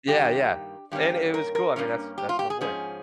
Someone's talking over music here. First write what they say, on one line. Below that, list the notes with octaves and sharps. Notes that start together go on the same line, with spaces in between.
Yeah, yeah, and it was cool, I mean, that's that's my boy.
G2 D#3 A#3 G4
G2 D#3 A#3 C#4 G4
A#4
A#4
G2 D#3 A#3 C#4
G4
F4
G4
G#4
G#2 F3 C#4 G#4